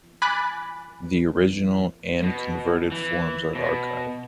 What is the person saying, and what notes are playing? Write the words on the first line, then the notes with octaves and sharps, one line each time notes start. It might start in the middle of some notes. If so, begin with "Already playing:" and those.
The original and converted forms are archived.
G#5 B5 D6 F#6 A6
B2
E3
B2